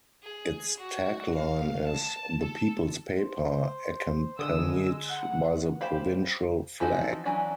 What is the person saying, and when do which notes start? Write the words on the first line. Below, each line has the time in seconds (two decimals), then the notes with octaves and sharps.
Its tagline is "The People's Paper", accompanied by the provincial flag.
0.23 G#4
0.77 F#4
1.35 F5
1.87 A5
2.42 A4
3.18 C5
4.39 D3 G#3 D#6 E6
5.10 F#5
5.81 G4 C5 F5 B5
6.80 E3 F3 C4 D#4 F#4
7.25 E3 F#3 C#4 D4